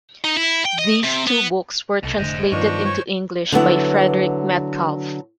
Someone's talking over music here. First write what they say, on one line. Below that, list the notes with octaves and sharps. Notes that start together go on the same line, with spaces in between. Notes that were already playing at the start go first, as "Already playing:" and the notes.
These two books were translated into English by Frederick Metcalfe.
D#4
E4
G5
D#5
C3
B3
C2 B2 A4
F1 A2 D3 C5 D#5
G2 D#3 F3 B3 D4 C#6
C#5 C#6
D3 F#3 B3 E4